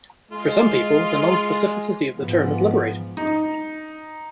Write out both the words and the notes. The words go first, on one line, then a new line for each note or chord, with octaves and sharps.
For some people, the non-specificity of the term is liberating.
G#3 F4
G#2 F3 B3
D#4